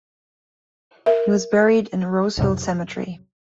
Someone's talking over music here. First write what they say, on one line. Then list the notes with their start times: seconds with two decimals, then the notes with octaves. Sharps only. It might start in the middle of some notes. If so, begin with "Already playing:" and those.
He was buried in Rosehill Cemetery.
1.06 A#4 E5
2.37 B1 F2 G#2 C3 F#3